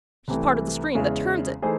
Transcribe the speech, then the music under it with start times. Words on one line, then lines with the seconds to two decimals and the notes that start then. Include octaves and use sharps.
She's part of the stream that turns it.
0.28 C2 C3 E3 A3
0.95 E2 C#3 G#3 C#4 E4
1.62 E3 A3 D#4 G#4 C5